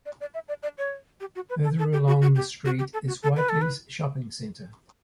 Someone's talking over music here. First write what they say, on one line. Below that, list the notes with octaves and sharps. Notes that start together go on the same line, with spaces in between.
Further north along the street is Whiteleys shopping centre.
D5
D5
E5
D5
D5
C#5
G4
F#4
B4
A4
A4
G4
F#4
F#4
G4
F#4
G4
A4
F#4
A4
B4
A4
B4